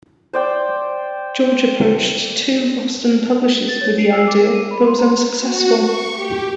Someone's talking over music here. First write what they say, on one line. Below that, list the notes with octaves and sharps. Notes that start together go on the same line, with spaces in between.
George approached two Boston publishers with the idea, but was unsuccessful.
C5 D5 G5
A6
C#5
C7
E6
D6
A#4
D#7
B5
C6
A#5
F#4
C#6
G4